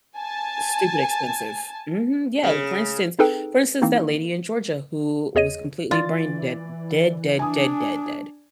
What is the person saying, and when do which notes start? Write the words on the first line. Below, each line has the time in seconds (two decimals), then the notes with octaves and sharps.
stupid expensive. Mhm. Yeah, for instance for instance, that lady in Georgia who was completely brain dead. Dead, dead, dead, dead, dead,
0.17 G#5 A5
2.43 C#3
3.19 C4 D#4 G#4 A4 B4 G5
3.82 E3 A#3 C4 D#4 E4
5.35 E2 G#4 C#5 D#5 D#7
5.91 E3 F4 D5 A6
7.39 D4 G#5 D#6